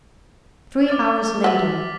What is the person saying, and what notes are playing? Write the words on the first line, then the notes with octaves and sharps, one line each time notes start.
Three hours later.
D6 F6 A6
F#4 B4 E5 B6 F#7